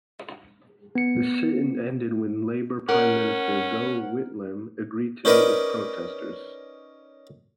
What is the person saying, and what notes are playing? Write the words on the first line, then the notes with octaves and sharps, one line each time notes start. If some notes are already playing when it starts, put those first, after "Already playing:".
The sit-in ended when Labor Prime Minister Gough Whitlam agreed to meet with protesters.
B3 C#7
C#4 A#4 F#5
C#4 D#4 A#4 B4 D5 D#5